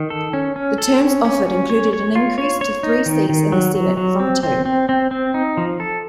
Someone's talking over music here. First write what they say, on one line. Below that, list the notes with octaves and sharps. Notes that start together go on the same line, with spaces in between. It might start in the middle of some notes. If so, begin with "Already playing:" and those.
The terms offered included an increase to three seats in the Senate from two.
Already playing: D#3
A4
C#4
C#4
A4
C#4
C#4
C#4
C#5
C#5
F4
C#5
C#5
D#4
D#3
D#3
F#3
F#3
F#3
C4
C4
C4
C4
C4
D#4
F3
A4